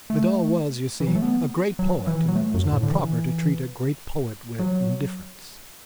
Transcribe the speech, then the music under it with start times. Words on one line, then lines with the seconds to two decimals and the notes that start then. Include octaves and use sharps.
Vidal was, you see, a great poet and it was not proper to treat a great poet with indifference.
0.10 A3
1.00 E3
1.07 F#3
1.15 A3
1.22 B3
1.79 F#3
2.07 E3
2.28 F#3
2.36 A3
2.54 F#2
2.72 A2
2.83 D3
2.92 E3
4.59 F#3